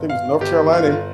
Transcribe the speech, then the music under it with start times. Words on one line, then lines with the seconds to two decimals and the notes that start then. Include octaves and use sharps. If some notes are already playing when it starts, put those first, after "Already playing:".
think it was North Carolina and
Already playing: G1
0.10 F5
0.41 G1 G4
0.73 F4
0.89 G1